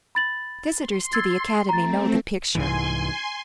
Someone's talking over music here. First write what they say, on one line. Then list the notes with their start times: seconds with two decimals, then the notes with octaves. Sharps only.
Visitors to the Academy know the picture.
0.15 B5 A6 F#7
0.78 C6
1.13 E6 G#6 A6
1.69 A3 C4 A#5 A6
2.55 C2 G#2 E3 G#5 C6